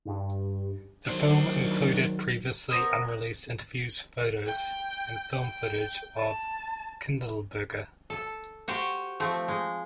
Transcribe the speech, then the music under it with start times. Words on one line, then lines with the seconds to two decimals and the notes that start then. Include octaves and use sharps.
The film included previously unreleased interviews, photos, and film footage of Kindelberger.
0.05 G2
1.07 D#3 F#3 D4 C5
2.70 B3 C4 A#4
3.08 F#6
4.46 G5
5.40 G5
6.17 A5
8.10 A4 A5
8.68 F#4 G4 C5
9.20 F3 A3 C4
9.48 G#3